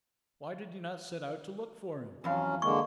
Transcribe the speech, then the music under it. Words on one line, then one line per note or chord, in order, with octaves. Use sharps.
Why did you not set out to look for him?
F2 E3 F#3 C#4 F5
D3 G#3 A#3 C#6